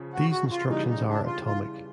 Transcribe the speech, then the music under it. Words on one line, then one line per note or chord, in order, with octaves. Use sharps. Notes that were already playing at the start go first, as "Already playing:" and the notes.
These instructions are Atomic.
Already playing: C#3 F3
F#4
F#4
F4
C#3 E3 G3 D#4
D#4
D4
F4
F4